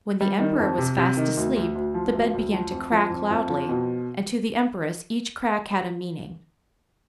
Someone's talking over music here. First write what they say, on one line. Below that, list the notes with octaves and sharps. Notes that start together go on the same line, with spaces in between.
When the emperor was fast asleep, the bed began to crack loudly, and to the empress each crack had a meaning.
G3
D#3
F2
C3
C3
D#3
D2
D2
D2
F3
D2
D2
F3
F2
F3
F2
F2
F3
B2